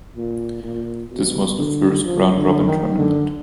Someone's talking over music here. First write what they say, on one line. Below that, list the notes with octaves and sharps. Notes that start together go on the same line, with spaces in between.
This was the first round-robin tournament.
A#2
A#2
B2
D3
F3
D3
D#3
D3